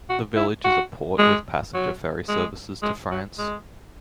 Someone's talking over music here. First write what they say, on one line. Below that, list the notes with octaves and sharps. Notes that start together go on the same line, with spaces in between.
The village is a port with passenger ferry services to France.
F#4
E4
F#4
G#3
F#3
G#3
G#3
F#3
G#3